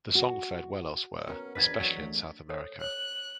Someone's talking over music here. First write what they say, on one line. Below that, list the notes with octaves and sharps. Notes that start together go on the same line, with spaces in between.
The song fared well elsewhere, especially in South America.
F#4
B3 C#4 F#4 A#4
E1 D4 B4 G#6 A6 B6
F#3
A3
A4 C5 C#5
C#5 F#6